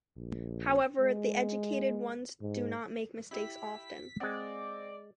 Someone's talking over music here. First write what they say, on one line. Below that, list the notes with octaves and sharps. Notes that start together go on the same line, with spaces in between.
However, the educated ones do not make mistakes often.
A#1
G#3
G#2
E4 G4 E5 B6
G#3 C4 D5 F#5